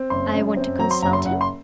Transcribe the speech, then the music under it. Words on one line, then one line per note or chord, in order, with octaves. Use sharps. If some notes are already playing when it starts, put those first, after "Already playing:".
"I want to consult him?"
Already playing: C4
F#1 C6
F#2
C4
F#3 A#5
C6
F#1 A#5
C6
F#1 F#5
C6